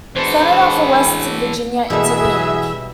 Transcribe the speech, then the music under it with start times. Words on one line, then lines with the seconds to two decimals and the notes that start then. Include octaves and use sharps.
Senator for West Virginia, intervened.
0.16 F#2 E3 G#3 B3 D4 A4 C5
1.90 B2 E3 G3 G#3 F#4 G#4 A4 E5